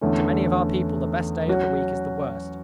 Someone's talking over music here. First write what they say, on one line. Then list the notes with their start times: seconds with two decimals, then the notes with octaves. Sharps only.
To many of our people the best day of the week is the worst.
0.01 E2 D3 A3 C#4
1.48 F#3 C#4 F#4